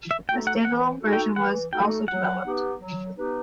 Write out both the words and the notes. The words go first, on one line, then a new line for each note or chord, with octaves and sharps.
A stand-alone version was also developed.
E5
A3 D#4 F#4 A4 G5
F#5
E3 F#5
A3 D#4 F#4 A4
G5
E3 F#5
A3 D#4 F#4 A4 G5
F#3 F#5
B3 D#4 G4 B4
F#3
B3 D#4 G4 B4